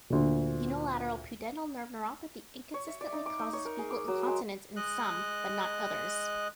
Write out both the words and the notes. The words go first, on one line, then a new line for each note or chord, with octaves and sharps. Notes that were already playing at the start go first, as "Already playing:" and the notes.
Unilateral pudendal nerve neuropathy inconsistently causes fecal incontinence in some, but not others.
D2 A#2
C#5
E5
D5
D#4
D6
D#4
C#5
A#4
G#4
D6
F#3
G#3
G#3 D#5 F#6